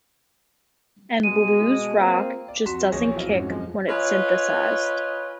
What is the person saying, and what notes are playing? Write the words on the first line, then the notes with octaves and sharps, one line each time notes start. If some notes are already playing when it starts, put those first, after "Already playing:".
And blues-rock just doesn't kick when it's synthesized.
B2 G#3 D#7
A#3 C4 F4
D5
F2 F#4 C6 B6 E7
A#1 E2 G#4 C#5 A#6
F#3 C4 E4 F4
F1 G#2 C#4 F#4
F#2 F3 G#3
F4 B4 C#5 D#5 G#5 B5